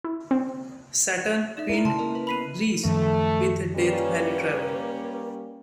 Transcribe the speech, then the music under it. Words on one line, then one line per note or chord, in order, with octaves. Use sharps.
Saturn pinned Reese with a Death Valley Driver.
E4
C4
D#4 D5 E5 E7
E4 A#4
C#3 A5 C6
A#3 A#4 D#5
B4
B3 B5 B6 C7 D#7 F7
F#2 D#3 F3 A3
G3 A#3 C#4 B4